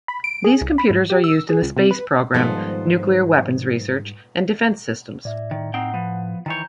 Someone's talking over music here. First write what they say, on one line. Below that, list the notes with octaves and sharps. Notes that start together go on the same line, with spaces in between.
These computers are used in the space program, nuclear weapons research, and defense systems.
B5
D7
G#4
C2
B5
G#2
G4
E6
G#4
C#2
C3
B4
G#2 D#3 F3 G3 B3 F4 A4 C5
A2 D5 E5
D#3
C4 D#4 F#5 G5
F3 B3
D#3 E3 C#5 A#5 G6